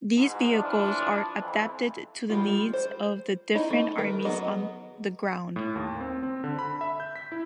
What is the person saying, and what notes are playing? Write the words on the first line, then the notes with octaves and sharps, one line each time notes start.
These vehicles are adapted to the needs of the different armies on the ground.
G#2 B2
E3 F3 D4
F2 E3
G3 G#3 F4
C5
D#4 E4 D#5
A3 D#4
D#3 A#4 B4
F#3 B3 G#4 D#5
A2
D#2
C4
C4
D3
B5
E5
G6
B6
E4